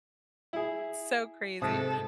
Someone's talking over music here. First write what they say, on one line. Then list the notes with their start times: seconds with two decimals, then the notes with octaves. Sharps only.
It's so crazy.
0.53 E4 G#4
1.62 G#2 C3 A4 D#6